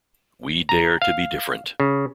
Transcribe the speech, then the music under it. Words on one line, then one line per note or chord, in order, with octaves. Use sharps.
We Dare to Be Different.
A#5
F5
C#3